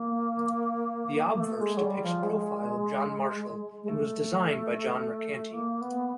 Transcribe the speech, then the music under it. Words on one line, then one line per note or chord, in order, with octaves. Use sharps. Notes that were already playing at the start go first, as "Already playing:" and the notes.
The Obverse depicts a profile of John Marshall and was designed by John Mercanti.
Already playing: A#3
A#3
A3
G#3
F#3
G3
F3
G#3
G#3
A3
A#3
B3